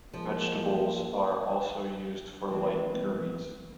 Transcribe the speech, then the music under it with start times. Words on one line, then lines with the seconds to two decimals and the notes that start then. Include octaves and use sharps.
Vegetables are also used for light curries.
0.13 F3 G#3 A#3
2.51 E3 G#3 C4